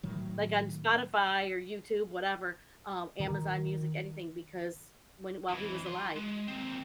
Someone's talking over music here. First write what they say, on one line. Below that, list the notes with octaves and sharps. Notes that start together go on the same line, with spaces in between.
like, on Spotify or YouTube, whatever, um, Amazon music, anything because when while he was alive,
A2 D#3 F#3
D#3
F2 E3
F#4 C6
G#3
D#2 C4